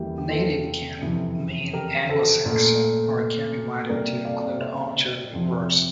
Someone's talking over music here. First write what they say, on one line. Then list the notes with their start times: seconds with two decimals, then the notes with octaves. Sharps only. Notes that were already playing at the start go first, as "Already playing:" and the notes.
"Native" can mean "Anglo-Saxon" or it can be widened to include all Germanic words.
Already playing: E2 E3 G3 A#3 E4 G4
0.18 G4
0.30 F4 A4
1.02 F2 C3 E3
1.73 G4 A#4
2.09 A4 C5
2.45 A#2 A3
3.89 C3 G3 A#3 A#4 D5
4.25 D5 F5
4.61 C5 E5
5.33 F2 C3 F3